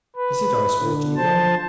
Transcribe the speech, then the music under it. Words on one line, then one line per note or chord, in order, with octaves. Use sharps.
"Is it ice-water you want?"
B4
D3
F3 C5 A5